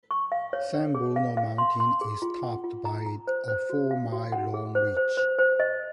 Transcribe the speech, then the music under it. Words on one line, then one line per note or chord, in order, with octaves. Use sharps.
San Bruno Mountain is topped by a four mile long ridge.
C#6
F5
C#5
C#5
G#4
F5
F5
C6
C6
G#4
F4
F#5
F4
A#5
A#5
C5
C5
F#4
F5
F#4
F#5
G#4
C5
C5
C5
C5
D#5